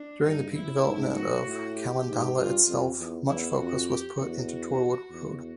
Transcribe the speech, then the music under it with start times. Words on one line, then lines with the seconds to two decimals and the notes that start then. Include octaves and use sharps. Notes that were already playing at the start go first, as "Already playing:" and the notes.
During the peak development of Khandallah itself, much focus was put into Torwood Road.
Already playing: D4
0.24 G2 D#4
0.54 E4
0.84 G#2
1.15 F#4
1.46 A2
1.76 G4
2.07 G#2
2.37 G2 F4
2.68 F2
2.98 E2
3.28 E2 E4
3.58 F2 F#4
3.89 G4
4.18 E2 F#4
5.10 E2